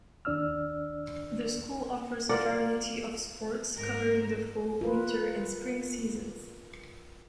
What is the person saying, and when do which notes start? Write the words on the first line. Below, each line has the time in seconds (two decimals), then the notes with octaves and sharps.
The school offers a variety of sports, covering the fall, winter, and spring seasons.
0.25 D#2 D4 D5 E6 F6
2.29 F4 A#4 D5 F#5
3.77 G#2 A#4
4.81 F4 A#4 B4